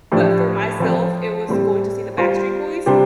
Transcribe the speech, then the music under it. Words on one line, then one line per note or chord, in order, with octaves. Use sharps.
but for myself, it was going to see The Backstreet Boys,
A2 F3 D4 G4
F3 C4 F4 A4 C5
A2 G3 C4 G4 C5
G3 F4 C5
C3 G3 D4 G4 C5